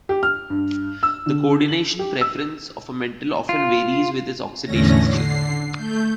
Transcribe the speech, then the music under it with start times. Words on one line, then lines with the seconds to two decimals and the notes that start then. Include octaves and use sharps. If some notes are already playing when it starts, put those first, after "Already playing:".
The coordination preference of a metal often varies with its oxidation state.
0.09 G4
0.23 F6
0.50 G2
1.03 E6
1.26 D3
1.68 F#7
1.99 G4
2.21 E6
3.49 F4
4.64 E2 A2 D3 A3 C#4 A#6
5.06 D3 C7
5.75 A3 G6